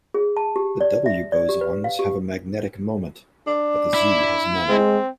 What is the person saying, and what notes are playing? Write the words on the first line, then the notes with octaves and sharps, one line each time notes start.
The W bosons have a magnetic moment, but the Z has none.
G#4
A5
G4
D5
E5
D5
G4
B4
F5
G4
D4
E4
G#3 C4